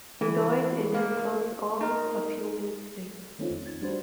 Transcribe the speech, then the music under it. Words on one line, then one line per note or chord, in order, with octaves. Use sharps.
He died in his son's arms a few minutes later.
E3
A#3
D#4 A#4
D#3 A3 C4 C#4 D#4 F4
F2
G#6 A6
G3 D4 F#4 B4 C5